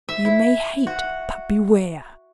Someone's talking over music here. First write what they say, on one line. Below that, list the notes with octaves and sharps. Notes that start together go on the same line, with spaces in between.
You may hate, but beware!
E5
E4
F#4